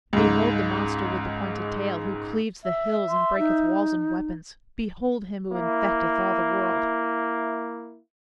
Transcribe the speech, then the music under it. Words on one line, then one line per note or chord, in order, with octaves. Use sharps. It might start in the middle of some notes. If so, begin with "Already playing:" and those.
"Behold the monster with the pointed tail, Who cleaves the hills, and breaketh walls and weapons, Behold him who infecteth all the world."
C#2 G#2
E5
C6
D#4
A#3 E4